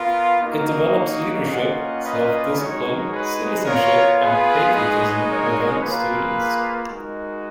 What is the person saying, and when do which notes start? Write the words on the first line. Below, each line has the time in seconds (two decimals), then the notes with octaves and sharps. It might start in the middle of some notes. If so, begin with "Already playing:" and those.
It develops leadership, self-discipline, citizenship, and patriotism within students.
Already playing: B3 F4 A#4
0.42 A#3 D#4 F#4 A#4
0.96 A#4 C#5
1.50 A#3 C#4 F4 D#5 F#5
2.04 B4 D#5
2.58 G#3 D#4 F#4 A#4 C#5
3.12 G#4 B4
3.66 B3 F4 A#4 C#5
4.20 G#4 B4
4.74 G#3 D#4 F#4
5.28 A#4 C#5
5.81 A#3 F4 G#4 B4
6.90 G#3 D#4 F#4 A#4